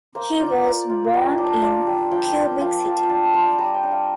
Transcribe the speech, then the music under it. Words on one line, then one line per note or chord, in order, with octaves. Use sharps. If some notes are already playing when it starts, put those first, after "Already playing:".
He was born in Quebec City.
A#3 C5
F4 D5
A#3 D5
F4
G3 D#5
D4
F4 D5
G3
F3 G5
C4 G5
F3 F5
F3 A5
D4 A5
G3 C6
G3 A#5
G5
D4
F5